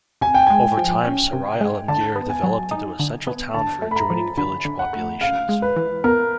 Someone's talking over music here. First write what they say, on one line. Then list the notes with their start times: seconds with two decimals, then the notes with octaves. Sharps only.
Over time, Sarai Alamgir developed into a central town for adjoining village populations.
0.21 C3 G#5
0.35 G5
0.47 G#3 G#5
0.77 F3
1.05 C#4
1.33 C3
1.61 G#3
1.88 D3 A5
2.16 B3
2.30 G#5
2.43 F#3
2.71 D#4
2.99 D3
3.27 B3
3.54 D3 A5
3.82 A3
3.91 B5
3.96 A#5
4.10 F3
4.37 D3 B5
4.65 D3
4.79 F#5
4.93 A3
5.21 C#3 F5
5.49 G#3
5.62 B4
5.76 E3
6.04 B3 A#4